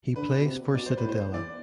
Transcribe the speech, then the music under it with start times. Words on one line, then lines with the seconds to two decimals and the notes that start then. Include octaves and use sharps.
He plays for Cittadella.
0.16 D3 B4
0.39 B2
0.45 C3
0.75 B2 D5
0.86 C5
0.97 B4
1.04 A2
1.09 C5
1.34 E2 D5